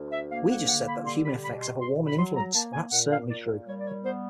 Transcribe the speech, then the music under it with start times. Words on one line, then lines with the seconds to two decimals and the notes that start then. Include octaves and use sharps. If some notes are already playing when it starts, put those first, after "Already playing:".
We just said that human effects have a warming influence, and that's certainly true.
Already playing: D2
0.11 E5
0.30 A#3 F5
0.49 F#5
0.67 D3 F#5
0.86 B5
1.04 G3 C6
1.23 B5
1.42 B2 B5
1.60 C6
1.79 B2 C6
2.06 B5
2.16 F#3 C6
2.36 A#5
2.54 A#3 A5
2.72 G#5
2.91 A#2 F#5
3.10 F5
3.28 A#2 D5
3.65 G3 C#5
3.80 D5
3.84 C#5
4.03 B3 C5